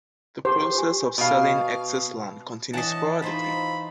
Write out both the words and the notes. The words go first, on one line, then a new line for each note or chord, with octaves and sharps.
The process of selling excess land continued sporadically.
G4 G#4 C5 A5
B4
F4 G4 G#5
B2 F5
E3 C#4 D#5 F#5 A5
A3 D#4 F4 C5 E5 B5